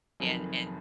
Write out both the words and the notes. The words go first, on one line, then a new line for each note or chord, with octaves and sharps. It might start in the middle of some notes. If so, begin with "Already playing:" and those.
and and
F1 F2 D#3 F#3